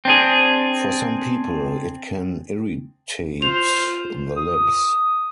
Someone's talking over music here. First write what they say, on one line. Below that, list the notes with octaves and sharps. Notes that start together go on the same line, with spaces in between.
For some people, it can irritate the lips.
C4 D4 G#4
F4 C5 F7
D#6